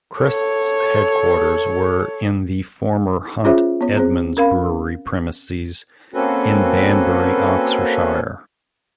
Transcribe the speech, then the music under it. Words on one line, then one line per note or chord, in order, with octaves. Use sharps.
Crest's headquarters were in the former Hunt Edmunds brewery premises in Banbury, Oxfordshire.
A4 C#5
C#4 F4 G#4 C5 C#5 E5
B3 C#5
C4 G#4 C5
C#4 A#4 F5 B5
A#3 C4 C#4 F#4 A4 B4